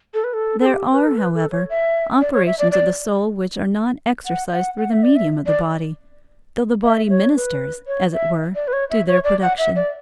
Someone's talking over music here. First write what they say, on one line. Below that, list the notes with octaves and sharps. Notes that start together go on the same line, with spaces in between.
There are, however, operations of the soul, which are not exercised through the medium of the body, though the body ministers, as it were, to their production.
A4
B4
A4
A4
G4
B4
A4
B4
A4
C#5
E5
D5
C#5
E5
D5
D5
F#5
F#5
F#5
E5
D5
E5
D5
E5
C#5
B4
C#5
E5
D5
B4
C#5
E5
C#5
D5
F#5
E5
D5